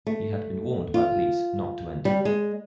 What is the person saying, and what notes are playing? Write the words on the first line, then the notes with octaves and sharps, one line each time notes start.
He had been warned by police not to enter.
A3
F4
G3
G#3